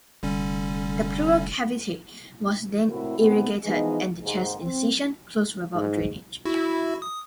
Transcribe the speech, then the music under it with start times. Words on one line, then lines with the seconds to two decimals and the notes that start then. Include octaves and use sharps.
The pleural cavity was then irrigated and the chest incision closed without drainage.
0.23 F1 D3 G3 C#4
2.89 A2 C3 A#3 E4 F#4
3.18 C3 D#3 G#3 B3 G#4
3.65 E3 F3 G#3 B3 D#4
4.23 D#2 G#2
4.60 C4
5.74 G#2
6.45 E4 F#4
7.02 D#6